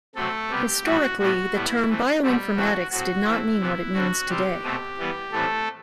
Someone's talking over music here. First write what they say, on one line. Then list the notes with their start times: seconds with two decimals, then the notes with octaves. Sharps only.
Historically, the term "bioinformatics" did not mean what it means today.
0.15 C3 F#3 A3 C4 A4
0.50 C3 G3 B3 G4
0.85 A2 E3 G3 F#4
1.19 A2 G3 B3 F#4
1.53 A2 G3 B3 E4
1.88 E3 A3 C4
2.22 B2 F#3 G3 A3 C4 G4
2.56 A2 E3 A3 C4 F#4
2.91 A2 F#3 C4 F#4
3.25 E3 A3 C4 E4
3.60 C3 E3 B3
3.94 D3 G3 C4 F#4
4.28 C3 G3 C4 G4
4.63 B2 A3 C4
4.98 E3 G3 B3
5.32 A2 E3 G3 A3 C4 A4